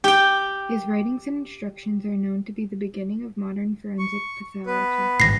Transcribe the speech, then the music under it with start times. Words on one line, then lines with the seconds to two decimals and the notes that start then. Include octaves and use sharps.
His writings and instructions are known to be the beginning of modern forensic pathology.
0.04 G4 G5
3.99 C#6
4.66 B3 B4
5.20 G#1 G2 A#6 C7